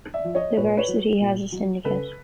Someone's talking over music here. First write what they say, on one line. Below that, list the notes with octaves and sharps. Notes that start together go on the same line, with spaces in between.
The varsity has a syndicate.
D5 E5
F3
C#5 D#5
A#2 B4 C#5
B4 C#5
F#3
A#2
F#3
C#3 A4 B4